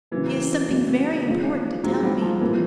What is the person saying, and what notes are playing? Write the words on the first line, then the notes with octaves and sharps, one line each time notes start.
"She has something very important to tell me."
C#3 E3 F#3 A#3
C#3 F#3 A#3
D#3 G#3 C4 F4
D#3 F#3 G#3 C4 F4
G3
F3
A#2 E3 F3 A#3